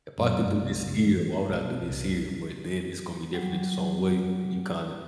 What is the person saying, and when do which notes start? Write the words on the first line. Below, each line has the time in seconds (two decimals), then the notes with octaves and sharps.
if I could do this here, why would I do this here? But then it's gonna be different in its own way, and you kinda
0.18 F#2
0.44 G2
0.61 C2
0.80 F#1
1.06 E3
1.33 A#3
1.50 B1
1.89 C2
3.34 F#3 G3